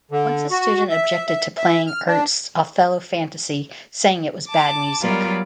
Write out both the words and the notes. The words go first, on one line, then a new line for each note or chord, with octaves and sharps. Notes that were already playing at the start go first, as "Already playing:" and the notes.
Once a student objected to playing Ernst's "Othello Fantasy", saying it was bad music.
D3
F#4
E5
E5
E5
F6
D4
A5 D6
F#3 G3 B3 F4 A#4 D5